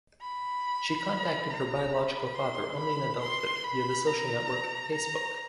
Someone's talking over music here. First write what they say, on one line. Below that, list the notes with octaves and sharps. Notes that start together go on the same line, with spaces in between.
She contacted her biological father only in adulthood via the social network Facebook.
B5
A#5
B5
C6
B5
C6
B5
A#5
A#5